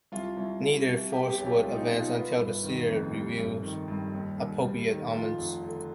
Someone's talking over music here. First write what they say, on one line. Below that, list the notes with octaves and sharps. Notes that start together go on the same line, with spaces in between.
Neither force would advance until the seer revealed appropriate omens.
C2 F4
C2
G3
C3
B3 G4
G4
B1
G4
G#3 F4
D#4
B2 F4
D#4
B3 F4
G1
D#3
F2
G3
G1
D#3
G2
D#2
D#2
G3
D#3
F3 F4
F1
D3